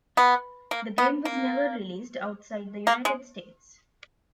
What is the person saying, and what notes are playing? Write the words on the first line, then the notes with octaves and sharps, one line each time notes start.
The game was never released outside the United States.
B3
A#3
B3
A#3
A#3
G#3